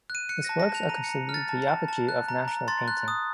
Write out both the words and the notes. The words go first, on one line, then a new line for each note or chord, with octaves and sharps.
His works are considered the apogee of national painting.
F#6
D#7
F#6 C#7
A5 A#6
A#6
A5
F7
A#5 D#7
C#7
A#5
F6
A6
A5
A5
A5
F#6
A#5
A#5
C6 A6
F#6
D#6